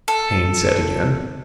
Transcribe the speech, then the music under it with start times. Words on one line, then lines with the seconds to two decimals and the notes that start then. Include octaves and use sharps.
Haines said again.
0.08 A4